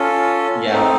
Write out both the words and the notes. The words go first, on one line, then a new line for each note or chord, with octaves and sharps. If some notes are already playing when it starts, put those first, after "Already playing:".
Yeah, wh
Already playing: C#4 F4 A4
A3 C4 D#4